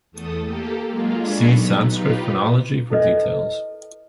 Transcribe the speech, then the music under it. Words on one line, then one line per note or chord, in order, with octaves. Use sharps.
See Sanskrit Phonology for details.
E2 A3 A4 D#6
A#3 G4 A4
F#3 G#3 A#3 F4
D4 A4 G#5 B5 C#6
F#3 B3 D#4
D#4 F4 G4 B4
E4 A4 B4 D#5